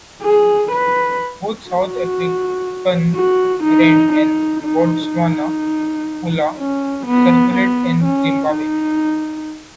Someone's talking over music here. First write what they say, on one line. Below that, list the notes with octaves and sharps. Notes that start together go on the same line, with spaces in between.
Both South African rand and Botswana pula circulate in Zimbabwe.
G#4
B4
F#4
F#4
D#4
D#4
D#4
D#4
C#4
B3
B3
C#4
D#4